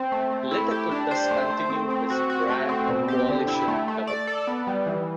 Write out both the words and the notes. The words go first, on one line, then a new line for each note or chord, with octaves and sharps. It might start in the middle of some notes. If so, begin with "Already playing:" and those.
Letta could thus continue his Grand coalition government.
Already playing: C4
A3
A3
E4
G4
D4
C5
A3
A3
C4
C4
F#4
F#4
A3
C4
B2
G4
D3
E4
A3
A3
D5
A4
B3
G3
E3